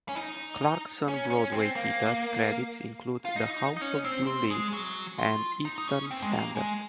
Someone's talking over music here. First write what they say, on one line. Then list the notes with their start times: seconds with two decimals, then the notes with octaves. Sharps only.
Clarkson's Broadway theatre credits include "The House of Blue Leaves" and "Eastern Standard".
0.09 C#4
0.15 D#4
1.08 C#4
1.30 C#4
1.53 C4
1.76 A#3
3.25 F4
3.36 D#4
3.77 D#4
3.81 C#4
4.05 C4
4.27 C4
4.51 G#3
4.73 F#3
5.18 F4
5.65 D#4
5.78 D#4
5.88 C#4
6.11 C4
6.22 G#3
6.33 A#3
6.56 G#3